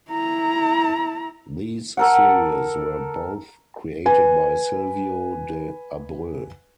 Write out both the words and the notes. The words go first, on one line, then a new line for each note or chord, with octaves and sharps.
These series were both created by Silvio de Abreu.
E4 A#5
A4 A#4 F#5
B4 G#5